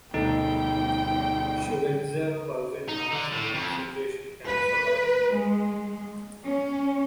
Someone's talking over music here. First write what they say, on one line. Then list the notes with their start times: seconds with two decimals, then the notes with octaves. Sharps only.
Schweitzer was a Nazi concentration camp survivor.
0.14 D2 B2 D3 D#4 A4 G5
2.89 D#4
3.12 D3
3.32 A2
3.54 F2
4.46 B4
5.34 G#3
6.44 C#4